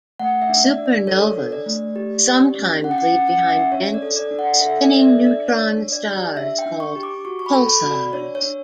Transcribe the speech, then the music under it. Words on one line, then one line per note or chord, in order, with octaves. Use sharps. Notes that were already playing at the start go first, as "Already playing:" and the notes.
Supernovas sometimes leave behind dense spinning neutron stars called pulsars.
A3 F#5
E5
D4
D5
D4
D5
A4 C#5
D4
D5
A3
G4
G4
C#4
C#4 F#5
G5
F#5
G5
C#4
F#5
C#4
E5
D4 C#5
D5
A4
D5
D4
F#5
A4 E5
D5
D4
E5
D5
D4
D5
D4 C#5
D4
D5
G4
D4 E5
G5
D4
C#6
G4
D6
F#4 C#6
C#6
B5
A4
B5
F#4
D5
D4 C#5
C#5
D4